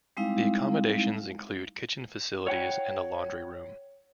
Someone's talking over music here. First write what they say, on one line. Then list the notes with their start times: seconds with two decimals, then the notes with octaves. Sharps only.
The accommodations include kitchen facilities and a laundry room.
0.17 G3 G#3 C4 D#4 E4 F5
2.47 C#5 F#5 G5